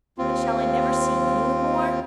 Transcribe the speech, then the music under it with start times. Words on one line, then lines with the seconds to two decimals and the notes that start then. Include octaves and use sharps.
But shall I never see YOU more?
0.18 D#2 C4 F4